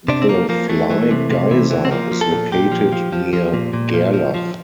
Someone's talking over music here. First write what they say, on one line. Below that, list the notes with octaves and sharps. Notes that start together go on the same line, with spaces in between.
The Fly Geyser is located near Gerlach.
C3 D4
C4
F3 A#3
F3 A#3
E3 A3
E3
C3
C3
E3
E3
C4
F3 A#3
F3
A4
A#2
A#2 G4
F3
F3
F3
F3
A#2
A#2
F3
F3
F3